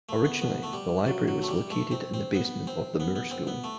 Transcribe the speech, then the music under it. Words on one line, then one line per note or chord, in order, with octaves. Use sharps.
Originally the library was located in the basement of the Moore School.
A3
B3
B3
A3
G3
F#3
F#3
A3
G3
A3
C4
C4
B3
C4
B3
B3
C4
B3
A3